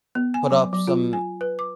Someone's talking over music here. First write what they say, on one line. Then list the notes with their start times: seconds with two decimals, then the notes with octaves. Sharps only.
put up some
0.15 B3
0.34 G#5
0.51 F#3
0.73 F#3
0.87 F4
1.13 G#5
1.41 B4
1.59 D6